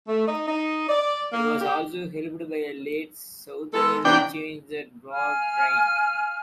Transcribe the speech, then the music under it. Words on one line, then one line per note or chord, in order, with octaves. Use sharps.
It was also helped by a late Southerly Change that brought rain.
A3
D#4
D#4
D5
A#3
G4
G#3 B3 A4
C3 E3 B3 D4 G5
F5 G#5 F6